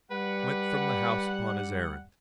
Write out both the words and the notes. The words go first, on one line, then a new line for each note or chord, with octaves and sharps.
He went from the house upon his errand.
G3 B4 F#5